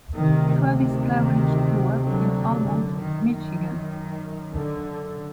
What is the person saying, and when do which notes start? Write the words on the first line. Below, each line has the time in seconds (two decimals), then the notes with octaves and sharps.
Travis Claridge grew up in Almont, Michigan.
0.16 D2 C3 D#3
0.80 D#3
2.03 D3 F#3
2.66 F#2 D3
2.98 D#3
3.29 D#3
4.53 D3